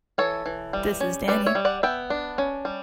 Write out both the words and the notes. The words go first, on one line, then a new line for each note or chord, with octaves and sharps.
This is Danny.
E3 A4 C#5
E3
G3
C#4
G3 B4 D5
C#5 E5
G3
D5 F#5
B3 E5 G5
D4
C#4
G3